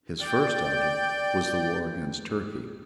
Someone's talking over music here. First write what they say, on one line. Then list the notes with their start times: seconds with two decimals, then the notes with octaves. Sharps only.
His first object was the war against Turkey.
0.21 D5 G5 G6